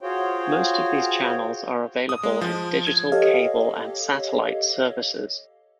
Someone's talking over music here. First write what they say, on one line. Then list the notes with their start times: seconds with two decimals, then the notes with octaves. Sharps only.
Most of these channels are available in digital cable and satellite services.
0.01 F4 F#4 G#4 C5 C#5 G5
2.09 D#6
2.23 G#3
2.41 F3
2.87 G#6
3.12 G4 A4 C#5 D#5 F5